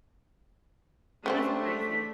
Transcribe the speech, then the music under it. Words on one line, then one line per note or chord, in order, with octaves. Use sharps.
That's crazy.
C#3 G3 A3 C4 D4
B6